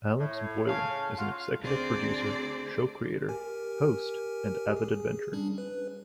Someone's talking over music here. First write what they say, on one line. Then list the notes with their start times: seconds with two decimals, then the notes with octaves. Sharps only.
Alex Boylan is an executive producer, show creator, host and avid adventurer.
0.18 A2
0.34 C#5
0.68 C#3 C#4 F5 A5
1.17 F4 F#4
1.60 D2 C4 D4 G#4 C5 D5
3.29 G4 A#4 G#5
4.77 G#4
5.33 G3 C#4 D4
5.58 B4